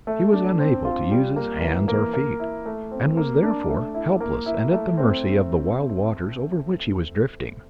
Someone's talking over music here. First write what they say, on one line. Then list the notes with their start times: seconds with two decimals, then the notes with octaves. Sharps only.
He was unable to use his hands or feet, and was, therefore, helpless and at the mercy of the wild waters over which he was drifting.
0.07 A3
0.33 D4
0.59 C4
0.85 F4
1.11 G3
1.36 A#3
1.62 E3
1.88 A#3
2.14 A#3
2.40 E4
2.66 A3
2.91 C4
3.17 A#3
3.43 D4
3.69 A3
3.95 E4
4.20 A#3
4.46 E4
4.72 A3
4.97 C4